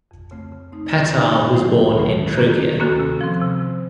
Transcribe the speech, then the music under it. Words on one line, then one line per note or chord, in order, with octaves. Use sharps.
Petar was born in Trogir.
F2
C#3 A3 C4
C#3
A3 C4 D#4
C#3
A3 C4 D#4
F#2
D#3 F#3 A3 C#4
F#2
D#3 F#3 A3 C#4
D#3
A#3 C#4 F#4 A4
D#3
A#3 C#4 F#4 A4
C3
F3 C4
C3